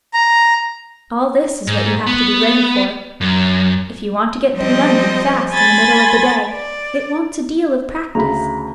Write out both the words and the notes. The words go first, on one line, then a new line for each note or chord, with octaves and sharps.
All this is what you have to be ready for. If you want to get through London fast in the middle of the day it wants a deal of practice.
A#5
G#2
B3
F#2
F3 G3 C4 C5 D#5
G#5 B5 C6 A6
D5
D2 C#3 A#5 B5